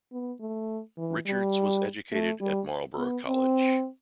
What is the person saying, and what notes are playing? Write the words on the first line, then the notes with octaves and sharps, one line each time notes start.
Richards was educated at Marlborough College.
B3
A3
E3
G3
A3
G3
B3
C4